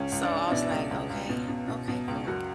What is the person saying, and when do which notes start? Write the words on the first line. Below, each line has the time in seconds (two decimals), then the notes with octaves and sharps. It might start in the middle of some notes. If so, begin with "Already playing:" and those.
so I was like, "Okay. Okay. Cool."
Already playing: C#2 C#4
0.12 C#2
0.22 D4
0.32 C#2
0.47 E4
0.50 B2 D4
0.70 C#2
0.91 C#2
1.10 C#2
1.29 B2
1.48 B2
1.68 B2
1.88 B2
2.08 C#2
2.27 F#2 F#4